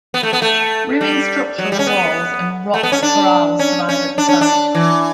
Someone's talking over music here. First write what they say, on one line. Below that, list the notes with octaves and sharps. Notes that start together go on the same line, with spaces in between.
Ruined structural walls and rock corrals survive at the site.
B3
A3
B3
A3
G3
F#3
G3
C#4
B3
A3
B3
C#4
D4
C#4
C#4
D4
C#4
D4
E3